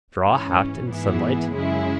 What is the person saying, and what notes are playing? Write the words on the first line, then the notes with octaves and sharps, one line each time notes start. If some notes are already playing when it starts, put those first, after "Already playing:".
Straw hat in sunlight.
G#2 E3 C#4
G#2 E3 B3 E4 G#4
F#2 C#3 G#3 E4 G#4